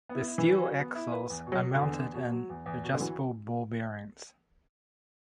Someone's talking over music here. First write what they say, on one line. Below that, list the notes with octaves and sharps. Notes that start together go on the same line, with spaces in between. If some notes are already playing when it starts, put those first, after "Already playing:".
The steel axles are mounted in adjustable ball bearings.
B3
E4
E4
E3
B4
F#3
B3
E4
B4
E2
B2
F#3
F#3
D3
E2
E2
B2
F#3
E2
E2
B2
D3
E3 F#3